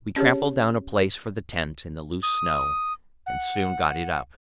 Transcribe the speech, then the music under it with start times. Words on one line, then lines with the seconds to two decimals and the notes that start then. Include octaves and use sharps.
We trampled down a place for the tent in the loose snow, and soon got it up.
0.16 C#4 G4 G#4 C#5
2.23 D#6
3.26 F#5